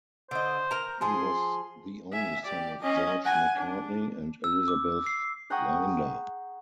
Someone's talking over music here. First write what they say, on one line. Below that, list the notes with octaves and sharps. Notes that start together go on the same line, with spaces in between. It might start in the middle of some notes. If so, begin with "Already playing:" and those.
He was the only son of George Macartney and Elizabeth Winder.
D3 C5 D#5
A#4 A#5
F3 G#4 C6
E5 G#5
G4 D5
C#4 D#5
F#5 G#5
D4
E6
D6
C7
G#4 F#5 G5 A#5 C#6 D#6